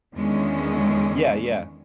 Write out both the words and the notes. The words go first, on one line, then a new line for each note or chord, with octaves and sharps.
Yeah, yeah.
E2 D3 D#3 G#3 C#4